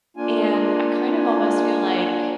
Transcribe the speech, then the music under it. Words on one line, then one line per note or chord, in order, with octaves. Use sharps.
and I kind of almost feel like,
A#3 D4 F4 G#5